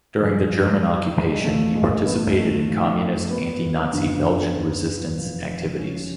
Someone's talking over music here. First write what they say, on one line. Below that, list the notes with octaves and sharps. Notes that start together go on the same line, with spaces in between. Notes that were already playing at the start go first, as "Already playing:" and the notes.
During the German occupation, he participated in communist anti-Nazi Belgian resistance activities.
F2 C#3 F3 G#4
G#3
A1 A2 F3 A3
G#3
B3
A3
G#3
A3
G#1 F#2 F3
B3
F#1 F#2 D3 F3
F1 F2 F3
C#4